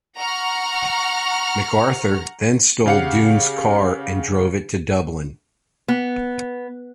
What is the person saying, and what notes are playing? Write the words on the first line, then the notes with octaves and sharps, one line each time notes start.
MacArthur then stole Dunne's car and drove it to Dublin.
F#5 A#5 C#6 F6
C#3 G4 F5 F#5 C#7
B3